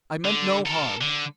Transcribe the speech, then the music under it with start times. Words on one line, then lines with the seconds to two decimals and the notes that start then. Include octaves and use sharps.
I meant no harm.
0.25 D3
0.66 A4 A#4
1.01 D3